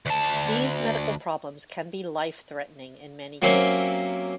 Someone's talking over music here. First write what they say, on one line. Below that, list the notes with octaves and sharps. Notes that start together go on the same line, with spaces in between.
These medical problems can be life-threatening in many cases.
D2 A5
F#3 A#3 C4 C#4 G4 E5